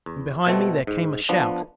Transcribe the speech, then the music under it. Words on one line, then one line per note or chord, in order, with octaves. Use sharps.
From behind me there came a shout.
E2
B2 A3 C4
G#2
F3 B3 D4